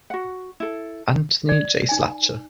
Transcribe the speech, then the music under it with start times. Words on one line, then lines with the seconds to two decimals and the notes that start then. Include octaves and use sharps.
Anthony J. Slatcher.
0.10 F#4 F#5
0.60 E4 A4
1.49 D5
1.89 D#4 G#5